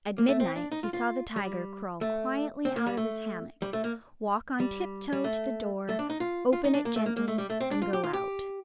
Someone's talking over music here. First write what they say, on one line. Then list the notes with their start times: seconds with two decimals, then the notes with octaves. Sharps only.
At midnight he saw the tiger crawl quietly out of his hammock, walk on tip toe to the door, open it gently, and go out.
0.18 A#3
0.29 A3
0.40 C4
0.56 D4
0.72 D#4
0.83 F4
0.93 F4
1.36 G3
2.01 A3
2.65 C4
2.76 A#3
2.87 G3
2.97 A3
3.62 G3
3.73 A3
3.84 A#3
4.60 G3
5.13 G3
5.24 A3
5.89 A3
5.99 D4
6.10 D#4
6.20 F4
6.53 F4
6.64 D#4
6.74 D4
6.85 A#3
6.96 A3
7.06 A#3
7.17 A#3
7.28 A3
7.38 G3
7.50 A3
7.60 C4
7.71 D4
7.82 F4
7.93 G4
8.04 F4
8.13 G4